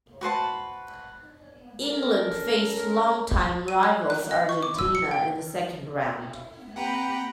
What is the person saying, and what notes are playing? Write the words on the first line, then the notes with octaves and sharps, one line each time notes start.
England faced long-time rivals Argentina in the second round.
F#4 B4 C5 A5
C#4 A4 A#4
D#7
F#6
F#6
D#5
C#6
D6
E6
C#7
G5
A#3 C4 G4 B4 F#5 G5 A#5